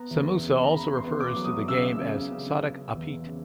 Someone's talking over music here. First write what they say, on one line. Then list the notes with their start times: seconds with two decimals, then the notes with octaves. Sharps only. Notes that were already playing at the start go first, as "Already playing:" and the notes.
Samusah also refers to the game as Sodok Apit.
Already playing: B3 A#5
0.11 E2
0.42 C#3
0.63 A#5
0.73 E2 B5
0.97 C6
1.05 B3
1.20 D6
1.36 F#3
1.44 D#6
1.68 C#3 E6
2.00 C#3
2.32 C#3
2.63 C#3
2.95 E2
3.26 C#3